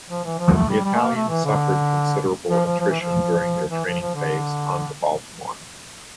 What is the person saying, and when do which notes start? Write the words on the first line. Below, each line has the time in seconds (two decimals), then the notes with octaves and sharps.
The Italians suffered considerable attrition during their training phase on the Baltimore.
0.10 F3
0.24 E3
0.39 F3
0.54 A3
0.69 G3
0.84 G3
0.95 A3
0.99 A#3
1.15 A3
1.29 E3
1.44 D3
2.50 F3
2.65 F3
2.79 F3
2.89 E3
3.01 F3
3.70 E3
3.85 F3
4.00 F3
4.15 D3